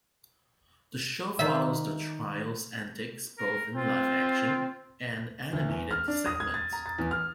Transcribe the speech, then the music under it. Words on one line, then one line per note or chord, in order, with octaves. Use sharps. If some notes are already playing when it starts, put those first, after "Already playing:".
The show follows the trio's antics both in live-action and animated segments.
D#3 E5
A#4
C4 F4
D2
E2
F6
D4
D#6
G#6
A6
A#5
A6
E2
F6